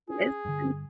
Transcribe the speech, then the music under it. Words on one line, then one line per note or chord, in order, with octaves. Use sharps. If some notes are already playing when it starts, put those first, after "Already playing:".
this and
C#4 G#4
G2 D3